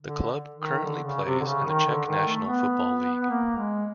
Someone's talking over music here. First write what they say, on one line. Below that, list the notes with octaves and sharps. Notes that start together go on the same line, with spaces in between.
The club currently plays in the Czech National Football League.
D3
D#3
D3
C#3
C3
D3
C#3
D#3
D3
D#3
A3
B3
A#3
G#3